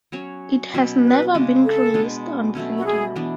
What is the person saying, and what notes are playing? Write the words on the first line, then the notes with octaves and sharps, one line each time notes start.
It has never been released on video.
F#3 C#4 F#4 C#5
B2 F#3 C#4
B4
C#3 G#3 D4
A4
B2 G#3 D4
B2 F#3 A3 C#4
F#4
G#4
E3 B3 D4